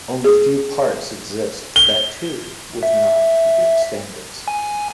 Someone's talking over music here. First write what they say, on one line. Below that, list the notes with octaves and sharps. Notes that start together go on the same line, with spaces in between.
Only few parks exist that too with not good standards.
G#4
G7
E5
G#5